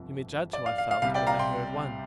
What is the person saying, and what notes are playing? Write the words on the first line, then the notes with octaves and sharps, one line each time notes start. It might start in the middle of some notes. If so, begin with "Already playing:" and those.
You may judge how I felt, when I heard one!
Already playing: G1 F2 C3
D5
F5
F5
F5
C2 C3 G3 F5
D5 G5
F5 A#5
G5 C6